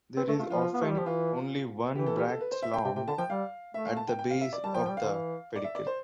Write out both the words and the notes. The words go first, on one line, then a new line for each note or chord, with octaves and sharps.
There is often only one bracts long at the base of the pedicel.
C4 B4
A3 A4
A3 F4
F3 F4
F4
B3 F4
A3 G4
G3
F3 G4
E3 F4
E3 G4
A4
G4
A4
B4
C5
E5
G5
C3 G5
C3 G5
D3 A5
F3 G5
G3 F5
A3 E5
F5
A5
G5
G5
F5
E5
D5
G3 A5
F3 G5
G3 G5
F5
D3
E3
D5
E5
D5
C5